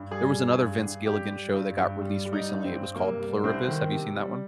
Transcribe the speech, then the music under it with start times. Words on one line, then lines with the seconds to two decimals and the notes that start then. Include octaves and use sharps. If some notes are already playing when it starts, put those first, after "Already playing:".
There was another Vince Gilligan show that got released recently, it was called Pluribus. Have you seen that one?
Already playing: G2
0.11 G3 G#4
0.35 G3
0.58 G2
0.82 G2
1.06 G3 G4
1.30 G3
1.54 G2
1.78 G2
2.01 G3
2.25 G3
2.33 D#4
2.49 G2
2.65 C4
2.72 G2
2.96 C3 A#3
3.20 G3
3.44 C2 C4
3.68 D#3
3.91 C3
4.15 G3